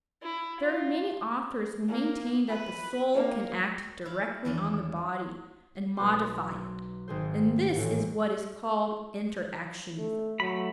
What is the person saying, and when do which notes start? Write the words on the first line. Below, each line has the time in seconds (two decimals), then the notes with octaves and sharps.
There are many authors who maintain that the soul can act directly on the body and modify it, and this is what is called inter-actionism.
0.23 E4
0.60 F4
1.88 A#3
2.48 B4 B5
3.14 A#3
4.05 E4 F5
4.45 E2 D#3 E3 C#4 D4 E4
5.97 B1 B3 F#4 C6
7.08 G#1 G#4 C5
7.76 A1 A2
9.98 A3
10.40 F#3 A3 B5